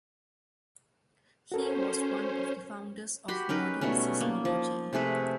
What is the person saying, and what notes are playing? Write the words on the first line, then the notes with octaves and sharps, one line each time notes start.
He was one of the founders of modern Seismology.
C#4 F#4 A4 A#4 C5
F#4 G4 B5 C6
C#4 D#4 A#4 B4
B2 G3 A3 C#4
A#3
F3
C3 A3 G#4 B4